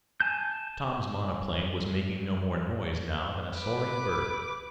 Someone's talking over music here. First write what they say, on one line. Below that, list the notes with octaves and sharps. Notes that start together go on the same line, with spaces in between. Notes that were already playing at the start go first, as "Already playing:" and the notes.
Tom's monoplane was making no more noise, now, than a soaring bird.
G#5 A5 G6
B4 D6